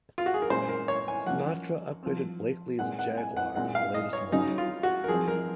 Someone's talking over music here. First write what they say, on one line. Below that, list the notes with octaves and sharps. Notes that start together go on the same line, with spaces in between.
Sinatra upgraded Blakeley's Jaguar to the latest model.
F4
F#4
G#4
A#4
A#2 G#3 C#4 C5
A#4
C#5
G#5
F3 A#3 C#4 F#5
F3 C4
A#2 G#3 C4 F#5
F#5
G#5
F#5
A#2 G#3 C4 F#5
F5
D#5
C#5
C#3 F#3 C#4 D#4
F4
F#4
A#4
F3 C4 G#4
A#4